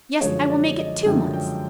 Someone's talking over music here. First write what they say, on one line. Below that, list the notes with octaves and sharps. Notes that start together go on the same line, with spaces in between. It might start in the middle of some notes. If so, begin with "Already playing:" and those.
Yes, I will make it two months.
F#2 D3 F3 G#3 C#5
D5
D#5
F#2 D3 F3 G#3 G5
G5